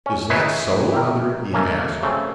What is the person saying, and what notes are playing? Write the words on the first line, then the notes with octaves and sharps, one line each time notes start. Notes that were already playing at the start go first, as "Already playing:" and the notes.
"Is that so, mother?" he asked.
C#4
D#4 E4 G#4 B4 C#5 E5
E4 G4 A#4
A3 A#3 C#4
C#3 A3 C4